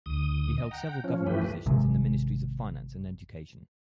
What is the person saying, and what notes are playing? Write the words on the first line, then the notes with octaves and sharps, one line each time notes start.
He held several government positions in the Ministries of Finance and Education.
D2 D#6
D#5
F#5 G5 A#5
F3 C#4
G2 E3 F3 A3 G4 B4
G#1 C3 G#3